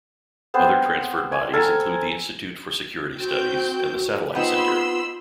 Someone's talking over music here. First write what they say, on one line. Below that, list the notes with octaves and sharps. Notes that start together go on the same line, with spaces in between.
Other transferred bodies include the Institute for Security Studies and the Satellite Centre.
B3 C4 C5
G#5
A4 A#4 G#5 A#5
C4 F#4 G5 G6
B3 C4 D#4 F4 B5 C6 E6